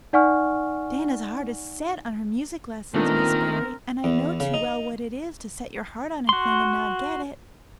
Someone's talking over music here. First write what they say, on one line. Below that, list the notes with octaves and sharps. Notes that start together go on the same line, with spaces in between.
Diana's heart is set on her music lessons, Miss Barry, and I know too well what it is to set your heart on a thing and not get it.
D#4 D5 F#5 G#5 C#6 F6
A#2 D#3 A3 B3 C4 D4 A#4
E2
C#3
D#4
F#4 C6